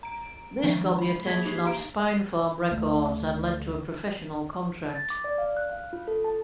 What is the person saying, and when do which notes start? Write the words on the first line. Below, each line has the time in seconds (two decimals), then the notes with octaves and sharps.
This got the attention of Spinefarm Records and led to a professional contract.
0.03 A#5 D7
0.64 D#3 F3 F#3 G#3 D4
0.98 B5
1.27 A#3 G#4 G#6 B6
1.46 D#4 G4 C7
1.65 F5 A#5 D7
2.71 D2 A3
4.95 A6
5.10 D6
5.24 D5
5.38 F5
5.57 F#6
5.70 F5
5.93 F4
6.08 A4
6.24 A5